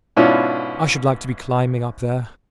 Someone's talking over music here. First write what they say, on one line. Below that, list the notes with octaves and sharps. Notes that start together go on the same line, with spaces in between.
I should like to be climbing up there!
G#2 B2 C#4 D4 E4 F4